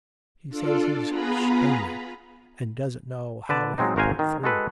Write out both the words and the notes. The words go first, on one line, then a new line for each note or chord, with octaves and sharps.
He says he's "stony" and doesn't know how he'll pull through.'
D4 F4 A4 D5
B3 F4 G#4 B4 A#5 B5
D3 B4 D5 A5
F#3 G#3 C4 D#4
G#1 F#4 A#4 C5 F5 G#5
D#3
G#3 F#4 A4 B4